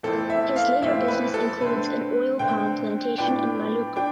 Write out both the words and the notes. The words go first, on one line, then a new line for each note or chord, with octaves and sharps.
His later business includes an oil palm plantation in Maluku.
F2 E3 A3 C4 A4
E5
F5
F2 E3 A3 C4 E5
B4
A4
D3 A3 C4 B4
D3 A3 C4 G5
A2 F3 B3 D4 G5
D4 G5